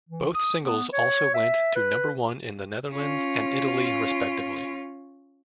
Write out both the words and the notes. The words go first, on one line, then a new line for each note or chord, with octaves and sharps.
Both singles also went to number one in the Netherlands and Italy, respectively.
E3
D#6
B3
C#5
E5
B4
C#4 F4